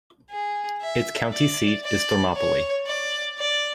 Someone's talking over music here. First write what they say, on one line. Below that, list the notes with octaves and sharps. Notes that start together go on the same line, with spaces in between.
Its county seat is Thermopolis.
G#4
E5
D5
D5
C#5
D5
D5